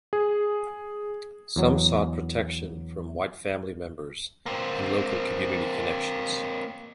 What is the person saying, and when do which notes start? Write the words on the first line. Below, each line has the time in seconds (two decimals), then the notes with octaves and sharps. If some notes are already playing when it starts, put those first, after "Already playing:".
Some sought protection from white family members and local community connections.
0.13 G#4
1.56 E2 F#3
4.46 A#3 C4